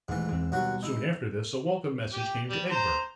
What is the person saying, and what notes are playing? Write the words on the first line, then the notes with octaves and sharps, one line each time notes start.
Soon after this a welcome message came to Egbert.
D#1 G#2 E3 A3
E2 C4
D#2 B2 F#3 G3 F#4
G#3 D#4 E4
G4
G3
C5 A#5